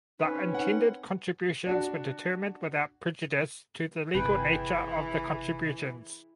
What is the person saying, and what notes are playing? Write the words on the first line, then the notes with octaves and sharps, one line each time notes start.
The intended contributions were determined without prejudice to the legal nature of the contributions.
C4 C#4 D#4 B4
D#4 F#5
D4 F#4
G1 C3 E3 G#4 B4 G5